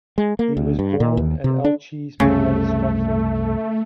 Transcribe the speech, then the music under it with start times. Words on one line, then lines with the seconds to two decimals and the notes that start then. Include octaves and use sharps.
He was born at Elchies, Moray, Scotland.
0.18 G#3
0.39 A#3
0.57 D2
0.79 G2
1.00 A#2
1.17 D#2
1.44 C3
1.64 D4
2.20 C2 F#2 C#3 A3